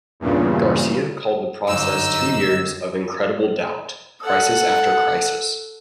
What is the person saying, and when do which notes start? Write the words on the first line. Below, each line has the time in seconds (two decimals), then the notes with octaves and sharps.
Garcia called the process two years of incredible doubt, crisis after crisis.
0.20 E2 G2 A#2 C#3
1.69 G1 F#2 D#4 E6
4.23 A4 F#5